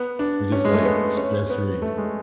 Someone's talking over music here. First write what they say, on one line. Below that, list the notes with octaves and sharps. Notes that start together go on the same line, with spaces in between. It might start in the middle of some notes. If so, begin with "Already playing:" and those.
You're just, like, stress free.
Already playing: B3
D4
C#4
G#3
A3
B3
C#4
B3
A3
G#3